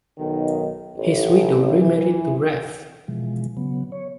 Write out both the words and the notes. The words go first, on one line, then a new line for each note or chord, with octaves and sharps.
His widow remarried to Rev.
B1 D#3
A1
E3
B2 E3 F3 G#3
C#3 F#3 B3
C#5